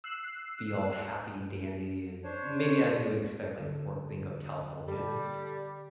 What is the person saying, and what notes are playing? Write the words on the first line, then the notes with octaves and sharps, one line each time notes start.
be all happy, dandy, and maybe as you would expect, like, or think of Californians,
E6 F#6 C7
D4 C5 C#5
D3 A4
G3 G4 A4